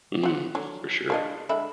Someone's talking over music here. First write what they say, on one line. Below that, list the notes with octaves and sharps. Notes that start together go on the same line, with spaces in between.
Mm, for sure.
C4 F#5
D3 F#3
A#3 D4 D#5
D3 G#3 E4